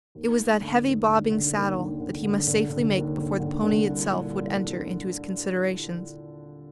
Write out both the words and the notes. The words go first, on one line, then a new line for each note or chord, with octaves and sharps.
It was that heavy bobbing saddle that he must safely make before the pony itself would enter into his considerations.
D#2
A3
D3
D#2
D3
D3
D#2
D3
D3
D3
D3
D3
D#2
D3
D3
D3
C2
A#2
C2
C2